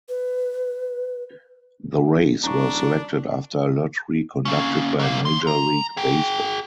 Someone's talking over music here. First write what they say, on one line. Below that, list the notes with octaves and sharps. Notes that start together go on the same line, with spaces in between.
The Rays were selected after a lottery conducted by Major League Baseball.
B4
D#1 D4 A#5 C#6
A#3 C#4
F#3 A#3
D#2 C6
A#5
G#4 G5